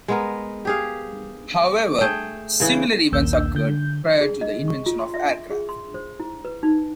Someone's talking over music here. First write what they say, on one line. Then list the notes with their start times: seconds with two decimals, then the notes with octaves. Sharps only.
However, similar events occurred prior to the invention of aircraft.
0.08 G#3 B3 A#4
0.65 G4 G#4 F5
2.01 A3 G#4 G5
2.60 C#3 E3
3.13 A#1 D#2 A#3 E6 G6
3.55 D3 G6
4.21 G#4
4.41 D#5
4.68 C#6
4.86 F4
4.99 C6
5.14 E5
5.50 G#4
5.69 C6
5.94 C5
6.20 E4
6.45 B4
6.63 D#4